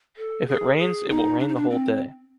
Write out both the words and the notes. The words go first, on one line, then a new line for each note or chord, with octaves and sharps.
If it rains, it will rain the whole day.
A4
G#4
G#4
D#4
D4
D#4
D4
C4